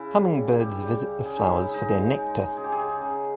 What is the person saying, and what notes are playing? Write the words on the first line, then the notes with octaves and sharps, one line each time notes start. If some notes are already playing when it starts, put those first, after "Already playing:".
Hummingbirds visit the flowers for their nectar.
Already playing: C#3 E4
G3
C#3
C#3 G4
G3
C#3
C#3 G#4
D#4 E4
C#3
D#4
G#3 D#4
C#3
G#3
G#3
C#3 G#4
G4
G#4
C#3
C#3